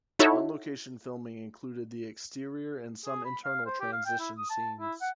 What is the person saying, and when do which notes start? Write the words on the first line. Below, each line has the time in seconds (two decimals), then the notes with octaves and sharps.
On-location filming included the exterior and some internal transition scenes.
0.19 D#4 E4 F#4 A4 C#5 E5
3.06 G#4
3.25 B5
3.45 F5
3.66 C5
3.80 G4
3.93 F5
4.06 G5
4.20 E4
4.38 D#6
4.50 A5
4.80 E4
5.01 F#5